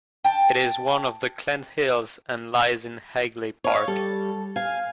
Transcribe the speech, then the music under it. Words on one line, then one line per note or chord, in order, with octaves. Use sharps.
It is one of the Clent Hills and lies in Hagley Park.
G5 A5
C#5 F5
G3 A4
F5 G#5